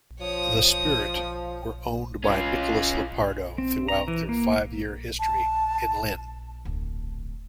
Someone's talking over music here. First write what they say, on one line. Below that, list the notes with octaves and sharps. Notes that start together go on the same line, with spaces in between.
The Spirit were owned by Nicholas Lopardo throughout their five-year history in Lynn.
F3 C#5 D#6
C#4 F4
C4
A#5
E3
A#3
A5
D1